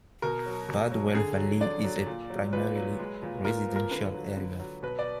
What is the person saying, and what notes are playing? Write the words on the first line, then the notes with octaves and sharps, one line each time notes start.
Bardwell Valley is a primarily residential area.
B2 A#4
F#3
B2
F#3
D3 G#4
F#3
D3 D5
F#3
A#2
F#3
A#2 B4
F#3
G#3
A#2
A#2 A#4
F3
A#4
D3 B4
F#3
D3
F#3
B2 B4
D5